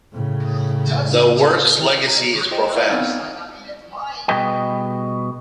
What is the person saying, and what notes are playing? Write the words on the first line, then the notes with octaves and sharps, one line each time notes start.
The work's legacy is profound.
A2 C#3
A#5
F4 G#4 C5 D#5 G5
E4 C#5 D5 F5 F#5 G#6
B3 C4 D#4 F6
B2 G3 G#4 B4 D#5 G5